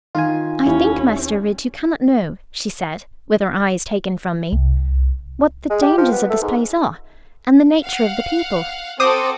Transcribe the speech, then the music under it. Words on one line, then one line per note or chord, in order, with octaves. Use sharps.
'I think, Master Ridd, you cannot know,' she said, with her eyes taken from me, 'what the dangers of this place are, and the nature of the people.'
D#3 F4 G#5
D#2 C#4 E4
C2
G#3
G4
F3
B3
A3
G#2
F5 F#5
C4 F#4 A4 C5 D6 D#6